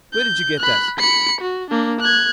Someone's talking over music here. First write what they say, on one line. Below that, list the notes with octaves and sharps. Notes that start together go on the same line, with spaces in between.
Where did you get that?'
G6
B5 F#6
B5 C#7
F#4
A#3 D4
F#6 G#6